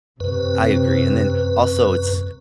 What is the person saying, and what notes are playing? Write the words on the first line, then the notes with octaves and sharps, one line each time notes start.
I agree, and then, also, it's
F#2 C3 B4